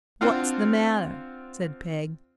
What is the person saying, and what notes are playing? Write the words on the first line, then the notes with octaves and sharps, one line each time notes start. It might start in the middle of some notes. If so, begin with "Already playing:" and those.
'What's the matter?' said Peg.
C4 D4 F4 F5 F#5